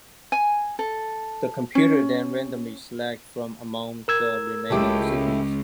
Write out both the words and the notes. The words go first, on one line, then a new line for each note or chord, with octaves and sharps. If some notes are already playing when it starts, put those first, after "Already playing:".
The computer then randomly selects from among the remaining cities.
G#5
A4
C#4
A#4 E6 G#6
C#2 A3 E4 G4